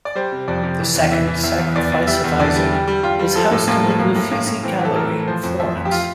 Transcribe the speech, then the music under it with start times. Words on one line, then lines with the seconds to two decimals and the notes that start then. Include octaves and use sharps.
The second "Sacrifice of Isaac" is housed in the Uffizi Gallery, Florence.
0.05 D5
0.15 G3 C5
0.32 C3
0.48 F2 D5
0.63 C3
0.80 E3
0.96 E2
1.12 E3 E5
1.27 E3
1.43 E2 E5
1.59 E2
1.75 E2 D5
1.92 E2
2.07 G3 E5
2.24 E2
2.40 D3 D5
2.56 G3
2.71 G3
2.88 G3
3.03 G3 F4
3.19 G3
3.35 F3 A4
3.51 A2
3.67 A2 A#3
3.84 F3
3.99 A2 A#3
4.15 A2
4.31 A2 A#3
4.47 A2
4.63 E3 C4
4.79 E3
4.85 A4
4.95 A2 A#4
5.12 E3
5.27 F3 C5
5.43 F2
5.60 F3 E5
5.76 F2
5.85 G4
5.91 F4